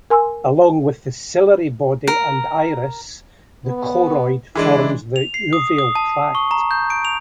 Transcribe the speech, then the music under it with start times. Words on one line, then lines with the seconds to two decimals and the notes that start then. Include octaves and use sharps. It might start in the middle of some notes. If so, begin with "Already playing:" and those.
Along with the ciliary body and iris, the choroid forms the uveal tract.
0.10 A#4 G#5 C6 E6
2.07 A#4
3.66 B3
4.56 E3 G#3 D4 E4
5.16 F7
5.34 C7
5.53 D#6
5.78 D#6
5.95 A5
6.35 C#6
6.51 A#5
6.71 G6
6.90 D7
7.05 F7